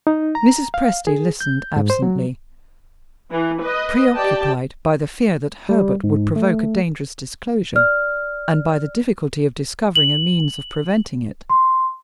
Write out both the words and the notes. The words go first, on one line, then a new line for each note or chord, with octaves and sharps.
Mrs. Presty listened absently; preoccupied by the fear that Herbert would provoke a dangerous disclosure, and by the difficulty of discovering a means of preventing it.
D#4
A#5
F5
G#4
G6
G#2
C5
F#3
E3
B4 D#5
G4 D5 G5 A5
G3
G#2
A3
D5 F6
F#7
C6